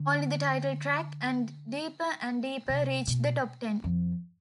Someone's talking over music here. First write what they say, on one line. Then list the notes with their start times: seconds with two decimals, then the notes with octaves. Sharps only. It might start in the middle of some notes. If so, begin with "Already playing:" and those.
Only the title track and "Deeper and Deeper" reached the top ten.
Already playing: D3
2.69 C3
3.07 B2
3.84 F2